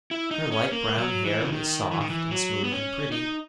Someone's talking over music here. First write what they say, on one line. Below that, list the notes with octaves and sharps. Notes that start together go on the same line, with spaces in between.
Her light-brown hair was soft and smooth and pretty.
E4
D#4
C#4
A#3
F#3
E3
C#3
D#3
E3
D#3
E3
F#3
B3
C#4
D#4